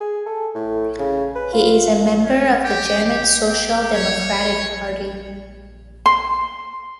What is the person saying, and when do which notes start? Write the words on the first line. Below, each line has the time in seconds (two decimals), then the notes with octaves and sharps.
He is a member of the German Social Democratic Party.
0.01 G#4
0.26 A4
0.55 A2
0.99 C#3
1.36 B4
1.53 F4
2.24 C#4
2.63 G4
3.05 G4
3.47 G4
3.94 C#5
6.06 C6